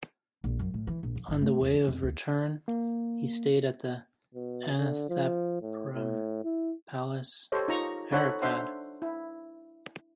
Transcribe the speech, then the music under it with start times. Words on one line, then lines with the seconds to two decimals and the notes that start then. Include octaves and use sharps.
On the way of return, he stayed at Ananthapuram Palace, Haripad.
0.44 A#1
0.59 F#2
0.74 A2
0.87 E3
1.03 A#1
1.16 F2
1.28 G1
1.42 A3
1.61 E2
1.74 E3
1.88 F2
2.03 D2
2.68 A#3
4.34 B2
4.79 D3
5.09 F3
5.62 A2
5.94 A2
6.45 E4
7.52 G4 A4 C5 C#5 D#5
7.68 D#4 F4 A#5 C#6
8.12 D#4 A4 C5 C#5 F#5 B5
8.42 D4 C5 E5 F#5 C6
9.02 E4